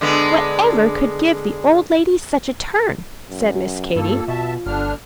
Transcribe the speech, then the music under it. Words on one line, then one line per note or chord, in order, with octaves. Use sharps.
"Whatever could give the old lady such a turn?" said Miss Katy.
D3 G#3 B3
F#2
G2 A#3 F4 A4
B2 E5 A5
G1 D3 D4 F6